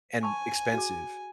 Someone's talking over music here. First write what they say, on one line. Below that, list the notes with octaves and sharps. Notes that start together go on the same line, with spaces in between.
and expensive,
G#5 A5 B5 C#6
F#4 G#4